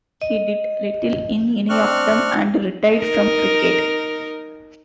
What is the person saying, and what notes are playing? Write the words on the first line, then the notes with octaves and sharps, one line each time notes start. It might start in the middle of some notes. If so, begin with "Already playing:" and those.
He did little in any of them, and retired from cricket.
D#5
C4 D4 C#6 F6 F#6
D#4 A#4